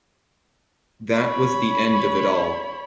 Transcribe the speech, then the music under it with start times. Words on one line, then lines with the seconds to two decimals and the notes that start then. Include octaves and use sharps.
That was the end of it all.
1.16 C#5 B5